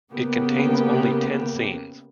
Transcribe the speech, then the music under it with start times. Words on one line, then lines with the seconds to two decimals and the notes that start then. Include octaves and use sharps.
It contains only ten scenes.
0.13 C#3 A#3 B3 G4